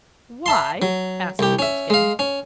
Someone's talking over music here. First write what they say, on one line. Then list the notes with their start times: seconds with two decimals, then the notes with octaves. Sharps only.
"Why?" asked the Blueskin.
0.46 E5 A5 C6
0.82 F#3
1.39 C2 G4
1.59 C#4 E5
1.90 G#3 F5
2.19 C#4